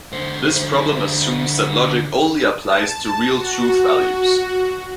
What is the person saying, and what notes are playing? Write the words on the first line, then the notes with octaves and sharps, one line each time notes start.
This problem assumes that logic only applies to real truth values.
D3 C5
A5
F#4